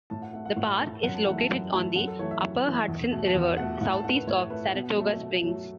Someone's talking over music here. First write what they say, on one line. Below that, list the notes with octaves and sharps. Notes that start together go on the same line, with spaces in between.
The park is located on the upper Hudson River southeast of Saratoga Springs.
A2 A5
F#5
A3 F#5
F#5
A2 F#5
A3 A5
F#2 F#5
A5
E3 A3 F#5
A5
F#2 F#5
E3 A3 A5
F#2 F#5
A4
E3 A3 C#5
E5
F#2
E3 A3
E2
B2 A3
A5
E2 F#5
B2 A3 F#5
A2 F#5
A5
A3 F#5
B4
A2 C#5
A3 B4
B2 B3
F#3 A3
B2
F#3 A3